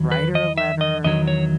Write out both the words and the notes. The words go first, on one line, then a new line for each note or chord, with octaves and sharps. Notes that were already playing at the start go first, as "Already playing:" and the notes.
write her a letter,
Already playing: E2 D#3 F#3
B4
D#5
E5
D#5
E2 D#3 F#3 D#5
C#5